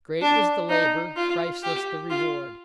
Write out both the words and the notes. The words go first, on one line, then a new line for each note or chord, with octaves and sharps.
Great was the labour; priceless the reward.
D4
D#4
F4
G4
F4